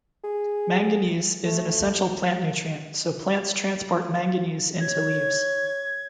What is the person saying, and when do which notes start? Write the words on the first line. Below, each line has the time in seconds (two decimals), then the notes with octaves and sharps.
Manganese is an essential plant nutrient, so plants transport Mn into leaves.
0.24 G#4
1.46 A3
4.80 C#5 G#6